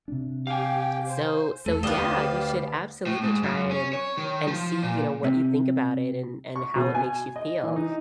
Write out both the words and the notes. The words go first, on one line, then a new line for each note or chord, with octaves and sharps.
so so yeah, you should absolutely try it and and see, you know, what you think about it and and how it makes you feel,
C3 D4
G4 F5 G5 G#5
C5
E2 A3 A4
D2 B3 G4 C5 D5 D#5 F5
A2
G#2
F#2
C#4
C#5
D#3
F3
A#2
C3
C#6
B2
G#5
D#5
E3
D#4